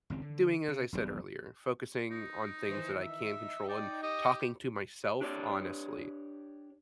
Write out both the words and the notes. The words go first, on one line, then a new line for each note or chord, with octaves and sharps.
doing as I said earlier, focusing on things that I can control and talking to myself honestly,
G#1 C#2 C4
D3
C#3
E1 B1 A2 G3
D#4
D#3 E3 C5
D#4 E5
D5 G5
G4 D#5
D4 G4 C#5 D5